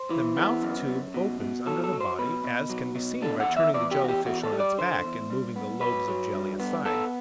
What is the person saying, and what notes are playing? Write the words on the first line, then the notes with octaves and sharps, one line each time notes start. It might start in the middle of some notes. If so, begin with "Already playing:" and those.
The mouth-tube opens under the body, as can be seen by turning the Jelly-fish on its back, and moving the lobes of jelly aside.
Already playing: C5
E3
B3
F#2
F#2
B2
B2
F#3 A4
A4
F#3
C5
B2 B4
B2
F#3
B2
D3 A4
F#5
E2
E5
E2 D5
G4
E2 F#4
G4
E2 F#4
A4
G3
D5
D3 C5
E2
G2
B3
F#3 B4
F#3
G2
B3
B3 A4